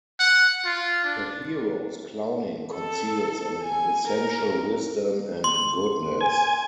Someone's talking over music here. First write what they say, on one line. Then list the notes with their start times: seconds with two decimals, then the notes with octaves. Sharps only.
The hero's clowning conceals an essential wisdom and goodness.
0.20 F#5
0.65 F4
1.04 D4
2.74 A4
3.64 G#5
4.08 A#4
5.44 C6
6.21 G#5